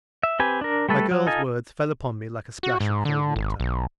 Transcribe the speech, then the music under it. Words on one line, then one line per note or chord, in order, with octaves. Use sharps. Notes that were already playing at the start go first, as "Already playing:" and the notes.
My girl's words fell upon me like a splash of cold water.
E5
C4 G4 B4 G#5
D4 A#4
G3 A3 A4 B4
F#3
D#4 F4 A4 D#5 G#5
F#4
G#2
D3
G#1
B1